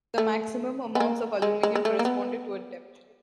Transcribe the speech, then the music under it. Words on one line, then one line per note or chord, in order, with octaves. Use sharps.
The maximum amounts of aluminium correspond to a depth.
A3
B3
A#3
G#3
G#3
G#3
A3
A#3
B3